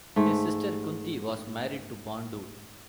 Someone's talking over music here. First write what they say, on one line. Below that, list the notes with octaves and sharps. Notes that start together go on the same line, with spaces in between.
His sister Kunti was married to Pandu.
G#2 A3